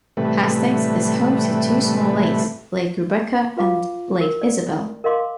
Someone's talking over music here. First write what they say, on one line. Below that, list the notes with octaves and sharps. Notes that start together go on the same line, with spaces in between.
Hastings is home to two small lakes, Lake Rebecca and Lake Isabel.
A2 C3 E3 G3 A3 B4
F4 B4 F5 D6
A#4
D5
A#4 D#5 F5 C6 D6